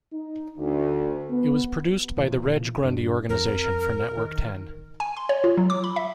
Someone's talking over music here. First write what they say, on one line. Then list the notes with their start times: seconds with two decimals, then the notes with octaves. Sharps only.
It was produced by the Reg Grundy Organisation for Network Ten.
0.13 D#4
0.58 D2
1.30 B3
2.17 A#2 E3 F3
2.81 G2 D3
3.29 F2 A#4
4.17 D#3
5.00 G#5
5.17 C6
5.29 C#5
5.44 F4
5.57 F#3
5.70 D6
5.84 B5
5.96 E5